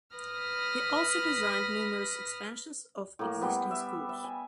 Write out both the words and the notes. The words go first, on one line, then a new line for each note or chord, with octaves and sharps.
He also designed numerous expansions of existing schools.
B4 B5 D#6 F6 A#6
A2 A#3
G3 B3
E5
E5
G#5